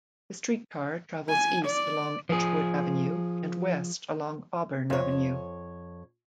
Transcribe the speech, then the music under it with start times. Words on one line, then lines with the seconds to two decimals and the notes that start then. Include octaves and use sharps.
The streetcar travels east along Edgewood Avenue and west along Auburn Avenue.
1.29 G#5
1.66 D5
2.29 F3 G#4
4.90 F2 C#5